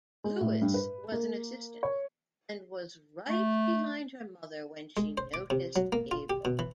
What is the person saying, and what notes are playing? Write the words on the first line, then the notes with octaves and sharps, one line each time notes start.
Lewis was an assistant and was right behind her mother when she noticed Gable.
G#3
A2
G2
B4
A#3
C#5
A3
G#3
C5
D6
C3
F#3
A#3
F4
G4
B2
E3